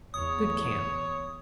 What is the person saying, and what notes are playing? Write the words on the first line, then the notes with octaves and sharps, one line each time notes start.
Good camp.
E2 C#5 D#6